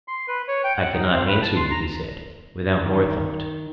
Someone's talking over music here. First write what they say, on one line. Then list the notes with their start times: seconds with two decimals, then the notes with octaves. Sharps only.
I cannot answer you, he said, without more thought.
0.08 C6
0.28 B4
0.48 C#5
0.64 G5
0.77 F#5
0.94 D#4
1.12 C4
1.27 B4
1.42 A5
1.56 C6
1.71 A#5
2.86 D#3